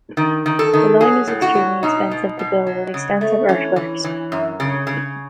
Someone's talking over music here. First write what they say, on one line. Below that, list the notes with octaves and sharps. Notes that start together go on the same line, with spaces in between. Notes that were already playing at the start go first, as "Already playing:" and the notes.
The line was extremely expensive to build with extensive earthworks.
D#3
D#3
A4
D#3
F#3 G#4
A2
F#4
F#3
B2 D#4
B2
B2
F#3
C#3
A3
E3 C#4
E3
E3
F#2
C#3
C#3